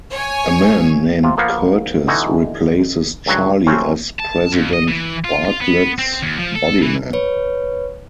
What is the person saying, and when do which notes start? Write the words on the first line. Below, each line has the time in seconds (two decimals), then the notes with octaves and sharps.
A man named Curtis replaces Charlie as President Bartlet's bodyman.
0.12 C#5 G#5
1.23 C3 F4 F5
1.37 F3 A#3 B3 F5 F#5
2.07 B2 D3 E3 D#4 F#4
3.26 C#2 G2 F#3 F#4
3.66 F#3 A3 C4 C#4
4.19 A5
4.52 F2
4.73 D#5
4.88 E3
5.25 F4
5.45 F4
5.61 B3
5.99 C4
6.23 D#2
6.38 F3
6.55 A4
6.82 E3
7.13 B4 C#5